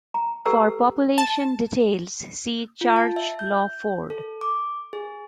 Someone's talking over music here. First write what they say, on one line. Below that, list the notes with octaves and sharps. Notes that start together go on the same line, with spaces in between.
For population details see Church Lawford.
A#5
G4 A4 B4 G5 A#5 E6
A5
F4
A5
E5
G6
A4
D6
G#4